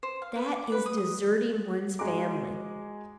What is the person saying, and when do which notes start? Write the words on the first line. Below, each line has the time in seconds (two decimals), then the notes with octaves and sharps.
That is deserting one's family.
0.03 C5
0.22 F5
0.36 B4
0.56 D6
0.72 B4
0.86 D#6
0.98 D#6
1.99 G#3 F#4 G#4 A#5 D6